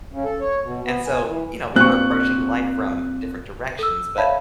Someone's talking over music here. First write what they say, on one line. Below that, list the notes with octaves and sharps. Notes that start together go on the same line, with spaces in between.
And so, you know, we were approaching life from different directions, but
C#3
A4
C#5
B2
B3
G#5
E3
A#2 C4 D4 G4 C#6 F#6
A4 E6
C#5 E5 F5 A5 B5